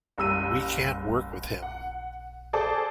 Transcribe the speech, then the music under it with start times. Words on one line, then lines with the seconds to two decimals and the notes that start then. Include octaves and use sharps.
We can't work with him.
0.18 F#1 G3 E6 D#7
1.62 F#5
2.53 G#4 A4 C5 D5